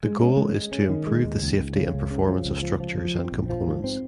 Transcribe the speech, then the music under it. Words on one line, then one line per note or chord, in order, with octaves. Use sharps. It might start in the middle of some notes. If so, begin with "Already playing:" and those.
The goal is to improve the safety and performance of structures and components.
G#3
C#4
G#3
G#3
C#4
D#3
G#3
D#2
C#2
C#2
C#3
C#2
C#3
F3
C#2
F3
F3
F3
C4
A#1
F3
G#2
C4